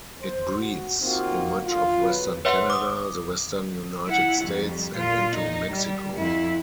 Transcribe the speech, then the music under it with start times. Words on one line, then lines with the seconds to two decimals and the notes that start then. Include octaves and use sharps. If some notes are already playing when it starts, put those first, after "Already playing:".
It breeds in much of western Canada, the western United States, and into Mexico.
0.21 C5
0.57 F#4
1.01 A#3 C4 D#4 F4 F#4
1.66 D3 F4
1.99 B1 F#3 B4
2.45 B4 C#5 E5 F#5 C6
2.70 D6 D#6
4.07 E4 F#5
4.41 F2 G3
4.96 A#2 F4
5.35 D#4
5.72 G3
6.16 F2 E4